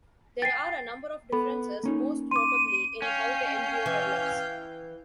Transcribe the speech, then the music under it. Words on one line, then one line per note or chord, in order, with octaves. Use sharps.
There are a number of differences, most notably in how the embryo develops.
G5 G#5 A6 C7
B3 A4 B5
A#3 C#4 D#4
C6 D6 D#7
C#4 F5 G5
E3